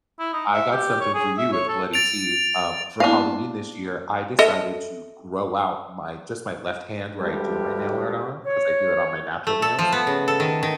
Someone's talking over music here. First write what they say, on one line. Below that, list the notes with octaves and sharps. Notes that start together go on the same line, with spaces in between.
I got something for you with bloody teeth, um, for Halloween this year, I decided to grow out my just my left hand where I do my nail art on, 'cause I do it on my natural nails.
E4
D#4
E5
G4
C#5
G#4
E5
C#5
A4
A6 D7 F7
A#3 B3 D4 E4 F5
A4 D#5 E5
D2 G2 G3 G#3 G4
C#5
A3
A4
F3
B3
C#3
A4
D#3
D#3